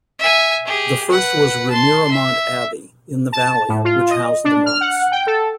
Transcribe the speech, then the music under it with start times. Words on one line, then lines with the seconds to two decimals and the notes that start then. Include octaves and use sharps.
The first was Remiremont Abbey, in the valley, which housed the monks.
0.19 E5 G#5
0.65 G4 G#4
1.10 B4 F#5
1.70 A5 C6
2.12 E5
3.32 A5
3.69 A2
3.84 F4
4.10 D#5
4.44 D4
4.66 F6
4.81 F#5
5.12 G5
5.27 A4